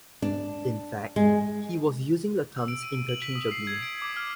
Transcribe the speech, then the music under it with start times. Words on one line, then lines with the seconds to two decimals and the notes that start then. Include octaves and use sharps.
In fact he was using the terms interchangeably.
0.22 D4
1.16 G#3
2.57 E6
2.68 D7
2.83 D#7
2.95 D7
3.09 F#7
3.22 B6
3.35 D#6
3.51 C7
3.67 G#6
3.82 D7
4.02 D6
4.17 F6